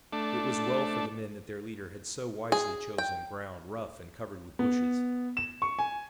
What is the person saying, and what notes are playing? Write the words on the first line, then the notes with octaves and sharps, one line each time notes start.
It was well for the men that their leader had so wisely chosen ground rough and covered with bushes.
A3 D4
G#4
G5
B3
E7
C#6
G#5